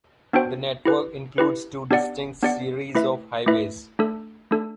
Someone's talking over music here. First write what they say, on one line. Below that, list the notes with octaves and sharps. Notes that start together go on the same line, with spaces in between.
The network includes two distinct series of highways.
B3 D4 F#4 C5 G5
E4 G4 B4
E4 G4 B4
B3 D4 G4 D5 F#5
B3 D4 G4 D5 F#5
A3 E4 B4 E5
A3 E4 B4 E5
A3 D4 A4
A3 D4 A4